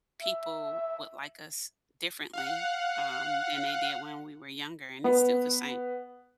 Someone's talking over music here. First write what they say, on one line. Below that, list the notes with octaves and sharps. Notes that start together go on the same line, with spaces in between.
people would like us differently, um, than they did when we were younger, and it's still the same.
E5
F5 F#5
B3